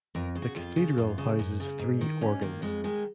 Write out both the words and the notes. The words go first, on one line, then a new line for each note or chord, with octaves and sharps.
The Cathedral houses three organs.
F2 A#4
C#3
F#4
F2 F4
C#3
F#2
C#3
F#2
C#3
G#2
D#3
G#2 C#4
D#3 A#3
F2 G#3
D#3 G#3